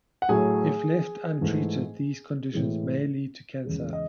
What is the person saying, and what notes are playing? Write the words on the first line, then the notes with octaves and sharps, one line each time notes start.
If left untreated, these conditions may lead to cancer.
F#5
A2 F#3 A3 G#4 G#5
G#2 E3 A3
A2 E3 G#3
E2 C#3 G#3
D#5